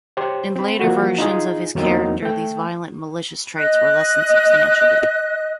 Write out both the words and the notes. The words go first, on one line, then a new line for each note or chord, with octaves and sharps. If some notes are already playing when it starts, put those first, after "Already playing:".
In later versions of his character these violent and malicious traits were lessened substantially.
G4 C5 C#5
C4 B5
F3 A#3 F#4
D#4 F4 G#4
E2 F#3 A#3 C4 D#4
A3 G5
D#5 F#6